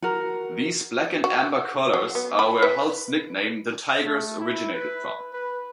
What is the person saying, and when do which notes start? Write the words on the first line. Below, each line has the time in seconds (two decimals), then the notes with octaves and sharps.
These black and amber colours are where Hull's nickname, "The Tigers", originated from.
0.02 F#4 A#4
1.24 F#4
1.94 F#3
2.15 B3
2.39 B5
2.62 B4
4.05 A3
4.40 E4
4.74 B4
5.33 B4